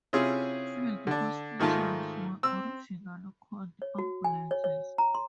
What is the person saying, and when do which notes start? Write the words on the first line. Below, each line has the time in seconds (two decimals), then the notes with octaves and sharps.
Field hospitals were originally called ambulances.
0.13 C3 C#4 E4 F4 G#4
1.07 D3 D4
1.60 G#2 D#3 A3 F4 A5
2.43 C4 E6
3.82 C#5
3.98 F#4
4.24 G#5
4.51 C#5
4.64 C#5
4.98 A#5
5.15 C6